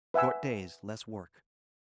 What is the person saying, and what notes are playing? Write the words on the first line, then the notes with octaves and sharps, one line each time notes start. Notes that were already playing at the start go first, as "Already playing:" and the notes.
Short days, less work.
B4 E5 F#5 G#5 E6